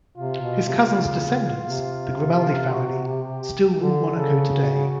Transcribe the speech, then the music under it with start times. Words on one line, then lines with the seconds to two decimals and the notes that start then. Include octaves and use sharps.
His cousin's descendants, the Grimaldi family, still rule Monaco today.
0.17 C3 F4
0.41 B2
0.65 C3
0.90 C#3
1.63 C3
2.34 F4
2.71 F#4
3.07 G4
3.80 D3
4.16 C#3 A4
4.52 F#4